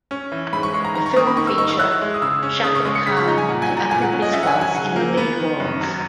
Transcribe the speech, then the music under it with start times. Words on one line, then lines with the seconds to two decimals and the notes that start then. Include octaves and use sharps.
The film feature Shakib Khan and Apu Biswas in the lead roles.
0.11 C#4
0.32 E3
0.53 G#2 B5
0.63 C#6
0.73 G#3 C#6
0.84 A#5
0.95 D#3 A#5
1.06 C#6
1.16 A#3 D#6
1.27 B5
1.37 D#3 C#6
1.47 E6
1.58 D#4 C#6
1.69 E6
1.79 E4 F#6
2.01 G#3
2.14 D#6
2.22 C#3 E6
2.43 C#4
2.64 C#3 D#6
2.75 C#6
2.85 G#3 D#6
2.95 C#7
3.06 C#3 B6
3.17 C#6
3.27 D#4 A#5
3.38 G#5
3.48 A#2 F#5
3.62 G#5
3.70 F#3
3.77 A#5
3.91 A#2 G#5
4.02 F#5
4.12 C#4
4.22 D#5
4.33 C#4 E5
4.43 F#5
4.47 G#5
4.54 F#3
4.61 G#5
4.75 C#3 F#5
4.96 A#3
5.17 B3
5.39 D#3
5.60 F#2
5.81 F#3